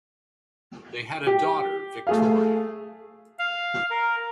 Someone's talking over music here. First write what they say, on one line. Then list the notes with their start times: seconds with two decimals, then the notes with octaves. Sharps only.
They had a daughter Victoria.
1.27 G4
2.07 A3 G#4 F5
3.39 F5
3.90 A#4